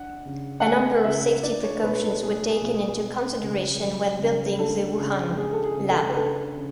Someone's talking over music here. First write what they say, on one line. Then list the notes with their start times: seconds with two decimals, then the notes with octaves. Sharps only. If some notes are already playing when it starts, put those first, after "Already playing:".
A number of safety precautions were taken into consideration when building the Wuhan lab.
Already playing: D4 F#5
0.25 C#3
0.60 F#5
0.66 G#3 G#5
1.04 C#3 E5
1.43 D4 D5
1.63 C#5
1.83 B2 B4
2.03 A4
2.22 A3 G#4
2.49 G#4
2.61 B2
2.75 G#4
3.01 B3
3.40 C#3
3.80 F#3
4.19 C#3
4.59 D4 A4
4.97 C#3 G#4
5.37 G#3 G#4
5.53 A4
5.64 G#4
5.77 C#3
5.89 A4
6.10 B4
6.16 D4 A4
6.56 C#3